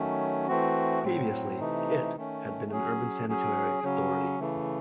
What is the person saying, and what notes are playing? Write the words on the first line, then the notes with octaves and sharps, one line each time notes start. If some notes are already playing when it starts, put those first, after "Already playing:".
Previously, it had been an urban sanitary authority.
Already playing: D#3 F#3 A3 C#4
E3 A3 C4 F#4
A2 F#3 C4
C3 E3 A3 D#4
D#3 A3 C#4
F#3 C#4 G#4
F#3 C#4 G#4
C#3 F#3 C#4
C#3 E3 A3